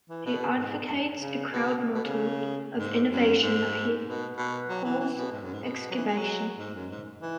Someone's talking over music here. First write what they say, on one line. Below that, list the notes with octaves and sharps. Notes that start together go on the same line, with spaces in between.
He advocates a crowd model of innovation that he calls Excubation.
E3
B2
G#2
F#2
C#3
B2
B2
C#3
G#2
F#2
G#2
B2
B2
F#3
E3
E3
B2
G#2
F#2
G#2
B2
F#3
E3
G#3
F#3
G#2
F#2
G#2
E3